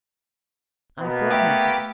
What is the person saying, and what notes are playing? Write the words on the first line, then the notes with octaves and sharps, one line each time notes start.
'I've brought nothing.
B2 A#3 B3
A3 G4